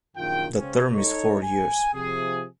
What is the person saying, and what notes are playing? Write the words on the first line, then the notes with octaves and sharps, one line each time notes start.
The term is four years.
A#1 F#2 D#3 F4 G5
C#3 C4 C#4
D#4 A4 C#5
G#5
C3 F3 G#4